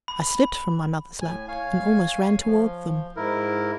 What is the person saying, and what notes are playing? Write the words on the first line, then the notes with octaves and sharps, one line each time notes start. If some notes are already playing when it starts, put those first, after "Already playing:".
I slipped from my mother's lap and almost ran toward them.
B5
A2 G#5
C#5 F5 G#5
F3
G#2 E4 A#4